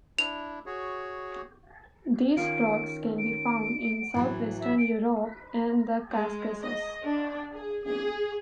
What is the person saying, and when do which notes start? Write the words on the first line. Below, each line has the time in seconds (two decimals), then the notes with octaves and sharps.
These frogs can be found in southwestern Europe and the Caucasus.
0.18 D4 E4 F7
0.66 F#4 G#4 C#5
2.37 D#3 C#4 F4 D7
3.19 D7
4.14 A2 E3 F#3
4.60 E5
4.78 D7
6.11 G#3
6.64 D#5
7.06 D4
7.53 G#4
7.84 G#4